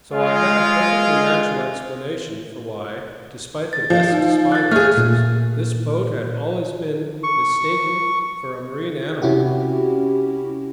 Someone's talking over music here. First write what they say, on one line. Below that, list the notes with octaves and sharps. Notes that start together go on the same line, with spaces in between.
So I had a perfectly natural explanation for why, despite the best spyglasses, this boat had always been mistaken for a marine animal.
G#3 F4
A6
F3
D#4
F#6 A6
A3 G#4 F6
A#2
C#6
C3 C#4 E4 F#4 G4